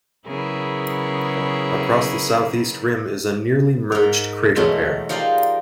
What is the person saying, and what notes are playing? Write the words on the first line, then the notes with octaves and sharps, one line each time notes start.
Across the southeast rim is a nearly merged crater pair.
C#3 F#3 B3 E4 G#4 A#4
G#2 A#4
B2 E3 F#3 G#3 A3
F3 D#4 G4 A#4 C5 D5